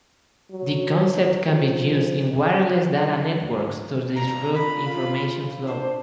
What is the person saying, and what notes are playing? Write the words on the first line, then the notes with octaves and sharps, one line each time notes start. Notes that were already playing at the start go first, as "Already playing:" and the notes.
The concept can be used in wireless data networks to disrupt information flow.
F#3
F3
F#3
D2
G2 A#5
A#2 B5
F4
D4 C5